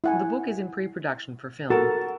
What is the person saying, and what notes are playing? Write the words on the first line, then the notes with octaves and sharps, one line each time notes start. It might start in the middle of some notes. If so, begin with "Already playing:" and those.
The book is in pre-production for film.
E4 F#5 G#5
F#4 A4 A#4